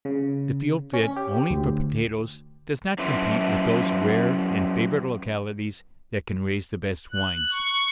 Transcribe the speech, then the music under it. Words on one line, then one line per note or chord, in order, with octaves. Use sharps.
The field fit only for potatoes does not compete with those rare and favored localities that can raise the best wines.
C#3
C#4
G4
D2
F#2 E3 F3
F#6
C#6